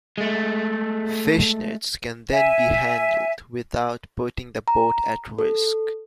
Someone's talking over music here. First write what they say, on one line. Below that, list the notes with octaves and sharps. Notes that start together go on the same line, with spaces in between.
Fishnets can then be handled without putting the boat at risk.
G#3 A3
E5 G#5
A#5
A4